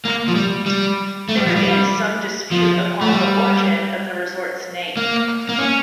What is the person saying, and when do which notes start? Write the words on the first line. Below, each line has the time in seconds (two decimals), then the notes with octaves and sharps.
There is some dispute upon the origin of the resort's name.
0.05 A#3
0.28 F3
0.36 G3
0.66 G3
1.29 A3
1.37 G3
1.47 F3
1.56 G3
2.51 F3
3.01 A3
3.12 G3
4.97 A#3
5.49 A#3
5.59 C#4